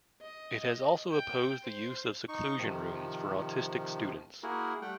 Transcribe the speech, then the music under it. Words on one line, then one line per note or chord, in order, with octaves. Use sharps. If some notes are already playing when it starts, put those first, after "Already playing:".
It has also opposed the use of seclusion rooms for autistic students.
D#5
G5
C5
D#4 C#6
C3 D#3 F3
A#3 E4 F#4 G#4 A#4
G3 A3 F#5 G5